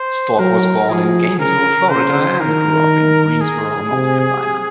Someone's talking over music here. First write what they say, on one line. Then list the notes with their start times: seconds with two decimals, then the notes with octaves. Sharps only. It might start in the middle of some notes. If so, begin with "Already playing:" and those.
Stork was born in Gainesville, Florida and grew up in Greensboro, North Carolina.
Already playing: C5
0.39 F#3 A#4
0.90 F3 G#4
1.39 C#3 A#4
1.89 C#3 C5
2.40 D#3 A#4
3.41 G#4
3.91 C3